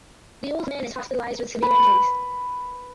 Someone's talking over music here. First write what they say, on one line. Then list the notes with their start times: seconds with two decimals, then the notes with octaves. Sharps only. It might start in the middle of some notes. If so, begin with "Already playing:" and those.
The old man is hospitalized with severe injuries.
1.62 B4